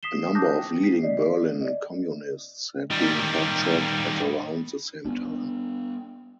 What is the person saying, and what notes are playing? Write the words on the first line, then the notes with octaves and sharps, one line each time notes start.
A number of leading Berlin communists had been captured at around the same time.
D#6 B6 C7 E7 G7
A5 D6 D#6 F#6 G6 A#6
G5
B6 C7
D5 D#5
D5 D#5
D#3 G3
B3 D4